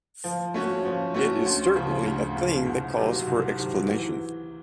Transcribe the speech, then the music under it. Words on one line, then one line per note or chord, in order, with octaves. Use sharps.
It is certainly a thing that calls for explanation.
F3
A3 C#4 F#4
F3
A3 C#4 F#4
D2
C#3 F3
D2
C#3 F3
C2
C3 D#3 F#3
C2
C3 D#3 F#3
E3